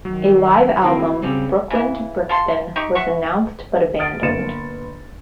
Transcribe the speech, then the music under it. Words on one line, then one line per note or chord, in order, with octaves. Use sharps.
A live album, "Brooklyn To Brixton", was announced but abandoned.
D#3 F#3
D#3 A#3 C4 E4
C#3 G3 C4 C#4
C#3 E3
F4 A4 C6
D#4 G4 C#6
E5 F#5 C#6
D#6 F6 A6 D7
G1 A#3 A6 C#7 E7